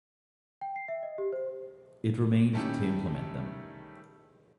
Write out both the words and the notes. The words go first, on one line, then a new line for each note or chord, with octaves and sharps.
It remained to implement them.
G5
C7
E5
D#5
G4
C5
D#3 G3 A3 C#4 E4 G4